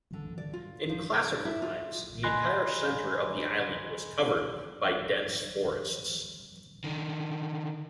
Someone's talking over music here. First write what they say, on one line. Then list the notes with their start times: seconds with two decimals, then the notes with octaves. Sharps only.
In classical times the entire center of the island was covered by dense forests.
0.13 D3
0.38 D5
0.53 F4
0.89 F3
1.17 C3
1.32 D5
1.45 E4
1.62 F4
2.23 D#5 G#5 B5 C6 F#6 A#6
6.84 D3 D#3